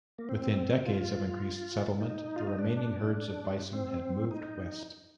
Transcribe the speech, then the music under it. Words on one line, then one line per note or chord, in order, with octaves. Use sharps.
Within decades of increased settlement, the remaining herds of bison had moved west.
A#3
C4
F4
D#4
F4
D#4
D4
C4
D#4